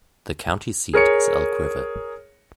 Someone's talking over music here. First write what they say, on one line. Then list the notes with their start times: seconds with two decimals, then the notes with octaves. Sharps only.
The county seat is Elk River.
0.93 G#4 A#4 C#5 C#7